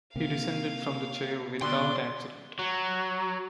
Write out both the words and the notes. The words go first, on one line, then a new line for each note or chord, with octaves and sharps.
He descended from the chair without accident.
C3 A#3 F5
B2 D3 D5 C6
F#3